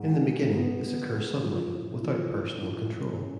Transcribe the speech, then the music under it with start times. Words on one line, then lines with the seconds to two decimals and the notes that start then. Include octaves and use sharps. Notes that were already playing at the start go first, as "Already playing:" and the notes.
In the beginning, this occurs suddenly, without personal control.
Already playing: G#2
0.23 G#3
0.53 B3
0.83 B3
1.13 G#3
1.43 F3
1.73 A2
2.03 F3
2.34 A2
2.63 F3
2.94 A2
3.23 C#4